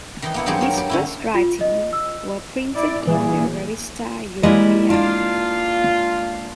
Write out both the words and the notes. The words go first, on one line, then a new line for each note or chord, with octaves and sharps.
His first writings were printed in the "Revista Europea".
D#3 E3 D#4
A#3 B3 E4
G2 D#3 F#3 C4 G4 G#4
A#4 C#5
G2 G4
D3 C#4 E4
F4
D#5
E6
E4 D5
A#2 E3 G#4
G3 G#3 A#3 E4 D#5
A#3 D4 F4